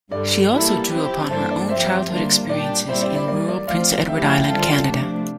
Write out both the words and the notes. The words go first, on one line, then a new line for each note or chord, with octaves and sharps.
She also drew upon her own childhood experiences in rural Prince Edward Island, Canada.
G2 D3 G3 D5
E3 G3 A#3 E4 A4
F3 C4 E4 G4
G2 E3 A#3 D4 A4 C5
D5
F3 C4 G4 C5 E5
D3 G3 A#3 D4 F4
A#2 G3 D4 G4 D5
A#2 G3 C4 E4 G4 C5
D5
D5
E3 G3 A#3 D5
D5
F3 A3 C4 F4 D5 F5
F3 A3 E4 G4 E5 G5
F5
E5 G5
D3 G3 C4 F4 A4
C3 F3 A3 D4